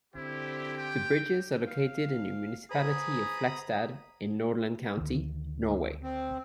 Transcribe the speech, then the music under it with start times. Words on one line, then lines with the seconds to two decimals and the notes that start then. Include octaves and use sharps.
The bridges are located in the municipality of Flakstad in Nordland county, Norway.
0.15 D3 C4 E4 G4
0.78 G5
1.66 F5
2.71 G#4 B4 C5 F#5 A#5 B5 D#6
4.97 D2 D#3
6.03 C4